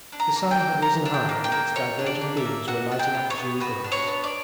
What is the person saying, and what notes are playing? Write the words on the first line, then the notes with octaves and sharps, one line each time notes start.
The sun had risen high and its diverging beams were lighting up the dewy grass.
D4
A#5
A#3
G5
A#3
G4 A#5
D4
G5
A#3
G5
A#3
G4 C#5
D4
D5
A#3
E5
A#3
F#4 F#5
D4
G5
B3
C#5
B3
F#4 B4
D4
C#5
B3
D5